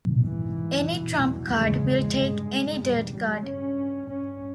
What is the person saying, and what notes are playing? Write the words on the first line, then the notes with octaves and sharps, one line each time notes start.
Any trump card will take any dirt card.
G#2 E3
E2 B2
E2 C#3 G#3
G2
E2 C#3 G3
G3
G2 C#4
G2 C#4